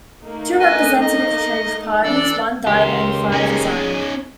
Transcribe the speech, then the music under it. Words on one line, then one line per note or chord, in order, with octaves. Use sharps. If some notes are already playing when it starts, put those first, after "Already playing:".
Two representatives changed parties, one died, and five resigned.
A3 A#3 D#4
B4 D#5 G#5
D#5
E3 D4 A4 D5 E6
C#2 A#3 G4 C6
C#4 D#4 G#4